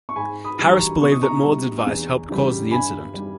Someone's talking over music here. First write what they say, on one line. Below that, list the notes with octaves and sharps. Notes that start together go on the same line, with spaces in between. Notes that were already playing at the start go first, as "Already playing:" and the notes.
Harris believed that Maude's advice helped cause the incident.
C#6
G#2 G#5 B5
B5 D#6
E3 G3
A#5 C#6
B2 C#6
D#6
A#5 C#6
G3
E2
C#3 E3 G3
G2 G#5 B5
G3